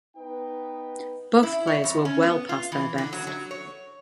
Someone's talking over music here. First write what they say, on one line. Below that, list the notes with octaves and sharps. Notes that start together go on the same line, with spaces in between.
Both players were well past their best.
B3 D#4 B4 G5
E4
C#5
F2
C#4
B3
F4
E3
D3
F#3
F#3
C#5